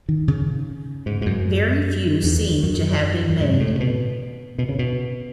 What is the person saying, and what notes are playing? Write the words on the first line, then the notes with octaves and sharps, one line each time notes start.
Very few seem to have been made.
D#3
C#3
G#2
G#2
F#2
E2
F#2
F#2
G#2
A2
B2
B2
C#3
B2